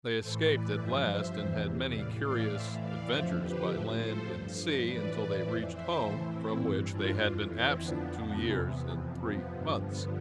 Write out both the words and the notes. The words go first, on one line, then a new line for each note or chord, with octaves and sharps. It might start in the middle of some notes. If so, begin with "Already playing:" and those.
They escaped at last, and had many curious adventures by land and sea, until they reached home, from which they had been absent two years and three months.
A2 E3 A4 C5
B4 D5
G2 F3 C5 E5
C5 E5
E2 C3 E3
A2 E3 D5 F5
D5 F5
A2 E3 C5 E5
D5 F5
F2 D3 F3 C5 E5
G4 B4
A2 F3 C5 E5
A4 C5
G2 F3
A2 E3 B4 D5
F2 E3 C5 E5
C5 E5
A2 E3 A4 C5
C4 E4
G2 E3
D4 F4
F2 E3 D4 F4
C4 E4
F2 D3 F3 B3 D4
E2 C3 E3 B3
B3
F2 C3 F3
B3
G2 D3 F3
B3